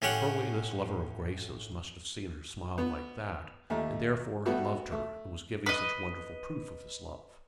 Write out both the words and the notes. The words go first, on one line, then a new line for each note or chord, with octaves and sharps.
Surely this lover of Grace's must have seen her smile like that, and therefore had loved her and was giving such wonderful proof of his love.
A2 C#4 G4 C#5 F#5
B3
D#2 A3
G3 A3 B3 F#4
A3
B4 D#5